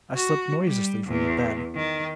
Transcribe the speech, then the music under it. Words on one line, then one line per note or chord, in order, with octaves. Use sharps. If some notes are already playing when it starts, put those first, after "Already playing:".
I slipped noiselessly from the bed.
F#4
G3
E2
D#3